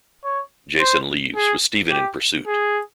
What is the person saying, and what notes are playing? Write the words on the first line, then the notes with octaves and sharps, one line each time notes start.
Jason leaves with Steven in pursuit.
C#5
C5
G#4
G4
G#4